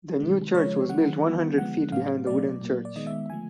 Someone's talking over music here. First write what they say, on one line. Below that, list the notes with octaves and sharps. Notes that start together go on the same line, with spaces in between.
The new church was built one hundred feet behind the wooden church.
C3 D#3 G#3
C#3 F3 G#3 C#5
D#3 F#3 A3 F#5
D#3 G3 B3
D3 F3 G#3 B3 F#5
A2 F#3 A3 F5
B2 F#3 A3 D5
A#2 F#3 A#3
D5
D#3 G#3 B3 D#5
E5
D3 F3 A3 G#5